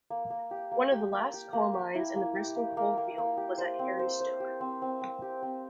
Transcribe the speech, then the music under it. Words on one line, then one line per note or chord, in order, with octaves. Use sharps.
One of the last coal mines in the Bristol Coalfield was at Harry Stoke.
A#3
A#3
G4
A#3
G4
A#3
G4
A#3
G4
E4
A#3
G4
A#3
A#3
A#3
A#3
G4
C5
C4
C5
C5
G4
C4
C4
C4
G4
C4